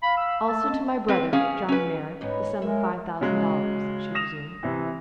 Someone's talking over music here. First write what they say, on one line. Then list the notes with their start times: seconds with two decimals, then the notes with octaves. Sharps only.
"Also to my brother, John Merrick, the sum of five thousand dollars," she resumed.
0.03 F5 B5
0.17 E6
0.48 A3 A5 E6
0.69 C4 C#4 D#5
1.08 C4 B4
1.33 C#4 G#4 F5
1.68 C#4 B4
2.21 G#2 B3 C#5 D#5
2.62 G#3 A#4 E5
3.21 C#3 F#3 G#3
4.15 D#6 A#6 E7 F7
4.63 C3 E3